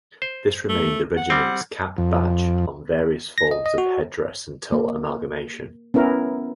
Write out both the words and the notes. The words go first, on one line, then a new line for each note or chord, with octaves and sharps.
This remained the regiment's cap badge on various forms of head-dress until amalgamation.
C5
A3
F#5
G3 C4
F2
A#6
D#5
D#5
F#4
A#3
B3 C#4 E4 A#4